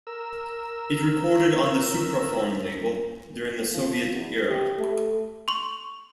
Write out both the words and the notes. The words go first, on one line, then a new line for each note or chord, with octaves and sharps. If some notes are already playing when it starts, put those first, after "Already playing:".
It recorded on the Supraphon label during the Soviet era.
A#4 E6
F3
E2
G4
A3
C6 C#6